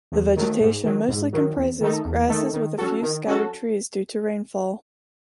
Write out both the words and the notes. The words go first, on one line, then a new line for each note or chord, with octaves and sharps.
The vegetation mostly comprises grasses with a few scattered trees due to the rainfall.
E2
D#3 F#3 A3
G#2
D#3 F#3
G#2
D#3 F#3
E2
D#3 A3 D#4 A4
E2
D#3 A3 D#4 A4
D#3
F#3 C#4 F#4 A4
D#3
F#3 C#4 F#4 A4